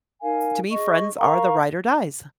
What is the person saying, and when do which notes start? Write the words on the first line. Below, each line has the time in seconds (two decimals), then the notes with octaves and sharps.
to me, friends are the ride or dies.
0.21 D#4 A#4 F5 G#5
0.70 G#4 D#5 C#6
1.18 A#4 F5 A#5 C#6